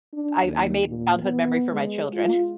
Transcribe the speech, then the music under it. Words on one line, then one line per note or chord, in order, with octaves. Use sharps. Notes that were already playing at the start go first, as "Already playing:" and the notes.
I I made a childhood memory for my children.
D4
D#2
A#2
B3
G#3
F4